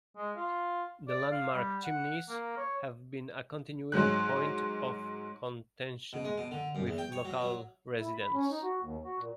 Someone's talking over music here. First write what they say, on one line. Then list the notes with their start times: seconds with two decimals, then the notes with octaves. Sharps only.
The landmark chimneys have been a continuing point of contention with local residents.
0.17 G#3
0.36 F4
1.09 D5
1.31 F5
1.53 G3
1.84 F#5
2.29 A#3
2.57 C#5
3.92 G#2 F#3 G#3 F#6
6.13 B2
6.25 G#3
6.38 B2
6.51 D3
6.75 F#2
6.87 E2
6.98 G5
7.12 C#5
7.25 F#3
7.42 F#3
7.99 E4
8.14 B5
8.33 C#4
8.51 D#4
8.63 F#4
8.82 D#2
9.05 F#4
9.19 A#2